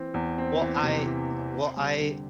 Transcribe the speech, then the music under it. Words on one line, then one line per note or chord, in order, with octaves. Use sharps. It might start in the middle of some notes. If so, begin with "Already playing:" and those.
Well, I uh, well, I
Already playing: E3 C4
E2
C4
E3
C3
E3
C4
C4
G3
D3